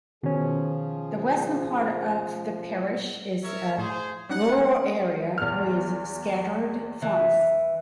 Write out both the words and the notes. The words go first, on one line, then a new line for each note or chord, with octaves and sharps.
The western part of the parish is a rural area with scattered farms.
B2 D#3 F3 C#4 G#4
A#4 C#5 E5
A2 G#4 C5
G3 C#4 D#4 F#5
E2 F6
E3